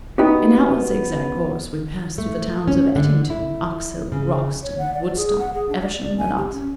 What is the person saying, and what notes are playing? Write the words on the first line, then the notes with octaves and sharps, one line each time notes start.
In our zigzag course we passed through the towns of Ettington, Oxhill, Wroxton, Woodstock, Eversham and Oxford.
B3 D#4 F#4 G4
A3
C#4
D3
E4
C#3
C#5
F#5
D5
G#4
F#5
G#4
D4
D5
D5
G#5
G4
C#4